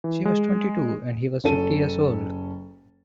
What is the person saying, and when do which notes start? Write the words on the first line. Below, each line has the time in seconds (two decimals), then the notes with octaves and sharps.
She was twenty-two and he was fifty years old.
0.04 E3
0.25 G#3
1.44 F#1 C#4 A4 D#7